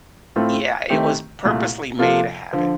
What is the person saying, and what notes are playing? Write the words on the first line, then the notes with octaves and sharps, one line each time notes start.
Yeah, it was purposely made a habit.
A2 A3 C4 F4 A4
D#3 A3 C4 G4
C2 A#2 A3
C3 F3 A#3 F4 A4
D3 F3